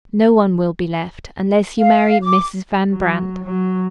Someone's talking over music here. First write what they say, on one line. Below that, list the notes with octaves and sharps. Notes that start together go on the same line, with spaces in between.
No one will be left, unless you marry Mrs. Van Brandt.
F5
D6
F#3
F#3